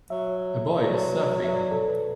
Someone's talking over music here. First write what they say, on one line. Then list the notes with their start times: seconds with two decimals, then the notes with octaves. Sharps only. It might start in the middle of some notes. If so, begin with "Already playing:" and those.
A boy is surfing.
0.10 F#3 E5
0.77 B4
0.82 F#3 D5
1.44 E5
1.54 D5
1.71 A4
1.88 B4